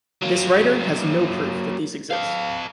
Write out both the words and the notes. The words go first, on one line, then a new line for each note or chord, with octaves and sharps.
This writer has no proof that these exist.
F#3 A#3
A4 F5